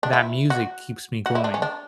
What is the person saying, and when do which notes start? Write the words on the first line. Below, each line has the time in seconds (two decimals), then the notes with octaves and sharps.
that music keeps me going.
0.03 D4
0.13 E4
0.50 F#4
1.26 F#4
1.35 E4
1.44 D4
1.54 C#4
1.62 D4